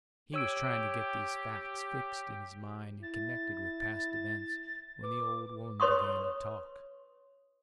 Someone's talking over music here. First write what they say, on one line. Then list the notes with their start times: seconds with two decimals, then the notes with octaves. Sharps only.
He was trying to get these facts fixed in his mind and connected with past events, when the old woman began to talk.
0.34 G4 C#5 E6 D7
3.03 E4 A6
5.03 B4 D6
5.80 B4 C#5 C6 C#6 D#6